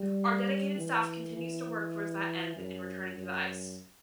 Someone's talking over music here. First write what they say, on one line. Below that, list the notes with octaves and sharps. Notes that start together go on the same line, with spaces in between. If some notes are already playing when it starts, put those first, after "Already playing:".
Our dedicated staff continues to work toward that end and returning to the ice.
Already playing: G3
E3
E3
F#2
F#2